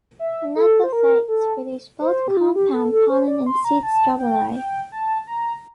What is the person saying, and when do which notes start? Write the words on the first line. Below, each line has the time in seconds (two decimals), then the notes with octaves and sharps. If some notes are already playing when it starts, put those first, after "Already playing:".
Gnetophytes produce both compound pollen and seed strobili.
0.19 E5
0.56 A4
0.84 C5
0.93 A#4
1.28 A4
2.01 C5
2.28 G4
2.37 F4
2.56 G4
2.74 A4
2.92 A4
3.10 C5
3.28 D5
3.46 C6
3.65 A#5
3.83 A5
4.19 G5
4.55 G5
4.92 A5
5.27 A#5